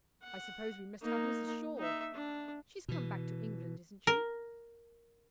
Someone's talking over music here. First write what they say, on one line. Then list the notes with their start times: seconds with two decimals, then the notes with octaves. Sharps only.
I suppose we must have Mrs. Shaw; she's come back to England, isn't she?'
0.23 F#5
1.02 A#3 D#4
1.78 D#4 E5
2.14 D4
2.88 B2 E3
4.07 A#4